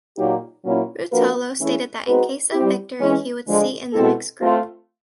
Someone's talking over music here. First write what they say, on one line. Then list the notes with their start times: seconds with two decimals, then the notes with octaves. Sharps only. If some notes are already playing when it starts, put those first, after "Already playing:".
Ruotolo stated that in case of victory he would seat in the Mixed Group.
0.18 A#2 F#3 A#3 D#4 G4
0.64 A#2 F#3 A#3 C#4 E4
1.11 F3 A#3 D4 F#4 B4
1.58 E3 A3 C#4 E4 G#4
2.05 G#3 C4 D#4 F#4 B4
2.53 G3 C4 E4 G4
3.00 E3 G#3 C#4
3.47 D3 F3 G#3
3.93 B2 G#3 C4 E4 A4
4.41 A3 C4 F4